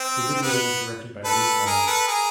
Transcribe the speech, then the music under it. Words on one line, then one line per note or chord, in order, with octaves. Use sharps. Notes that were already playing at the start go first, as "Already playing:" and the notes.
The video was directed by Reid Long.
Already playing: C4
C4
B3
A4 B4
G#4 A#4
A4 B4
G#4 A#4